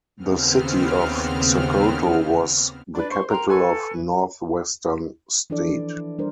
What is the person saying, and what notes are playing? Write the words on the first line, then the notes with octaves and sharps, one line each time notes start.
The city of Sokoto was the capital of North-Western State.
D#2 C#3 B3 C4 F6
D4 B4 D5
C5 C6 C#6
A#4 G5 A#5 C6
A4 B4 G#5 C#6
E3 F3 D4 E4 A4 D5
G3 D4 A#4 C5